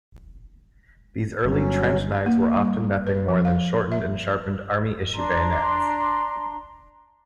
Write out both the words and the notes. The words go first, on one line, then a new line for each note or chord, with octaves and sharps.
These early "trench knives" were often nothing more than shortened and sharpened Army-issue bayonets.
G1 F#3 C#4
A#3
G3
B4
F3
F5
E5
D4 A#5 C6